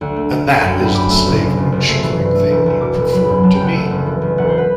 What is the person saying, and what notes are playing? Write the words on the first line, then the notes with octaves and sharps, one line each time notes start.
And that is the slavering, shivering thing you preferred to me!
D2 F#5
A3
D2
D2
F#2 F#5
G5
A3
B5
F#2 D6
A3
F#1
C3
F#1
F#1
A3 C6
E3
G2
A3
E1
E1
B2 D6
E1
F#3 B5
F#2
F#3 A5
G5
F#1 F#5
A3
F#1
E3
F#1
E1 F#5
C5
B4